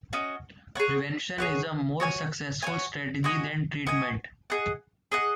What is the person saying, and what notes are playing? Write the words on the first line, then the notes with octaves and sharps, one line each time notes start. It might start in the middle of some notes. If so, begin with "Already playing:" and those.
Prevention is a more successful strategy than treatment.
C#4 F#4 D#5
G#4 C#5 F#5
G#4 C#5 F#5
F#4 C#5 G#5
F#4 C#5 G#5
F#4 D#5 G#5
F#4 D#5 G#5
G#4 D#5 F#5
G#4 D#5 F#5